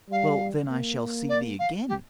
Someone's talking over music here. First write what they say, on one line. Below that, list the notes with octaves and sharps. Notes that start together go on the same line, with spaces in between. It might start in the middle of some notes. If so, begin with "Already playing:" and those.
Well; then I shall see thee again?
G3 F5
A#3
D5
F5
G4